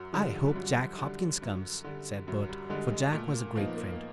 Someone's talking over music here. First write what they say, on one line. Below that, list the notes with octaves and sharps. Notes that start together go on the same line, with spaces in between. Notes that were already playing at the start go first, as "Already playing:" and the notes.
"I hope Jack Hopkins comes," said Bert, for Jack was a great friend.
Already playing: F#2 F#3
D3 F3 G3
F#3
G3
F#2 F#3
D3 G3
F#2
D3 G3
F#2 F#3
F#3
G3
D3 G3 G#3
G#3
A#2 A3
A#3
F3 A#3 B3 D#4
A#3
A#3